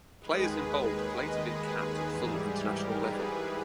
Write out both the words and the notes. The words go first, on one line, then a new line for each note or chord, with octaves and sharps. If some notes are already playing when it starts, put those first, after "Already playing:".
Players in bold have later been capped at full international level.
D#2 D#3 G#3 G#4 B4
B4 D#5
G#4 B4
G#4 B4
G#2 E3 G3 G#4
G4
G4 A#4
G#4 B4